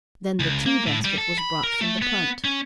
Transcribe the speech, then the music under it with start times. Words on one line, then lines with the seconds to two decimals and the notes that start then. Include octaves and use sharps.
Then the tea-basket was brought from the punt.
0.40 C#2
0.66 A#3
0.86 A2
1.05 G3
1.18 A4
1.39 B5
1.63 A#4
1.81 A3
2.02 B3
2.45 C#4